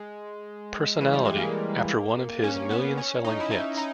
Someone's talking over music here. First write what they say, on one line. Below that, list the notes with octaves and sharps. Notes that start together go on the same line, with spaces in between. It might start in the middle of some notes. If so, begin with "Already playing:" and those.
Personality, after one of his million-selling hits.
Already playing: G#3
E3
G3
G#3
A#3
C#4
B3
C#4
D#4
E4
D#4
D#4